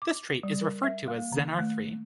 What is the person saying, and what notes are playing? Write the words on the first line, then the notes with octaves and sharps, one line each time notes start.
This trait is referred to as "xenarthry".
D6
G3
A#4
E5
A#3
D#3
A3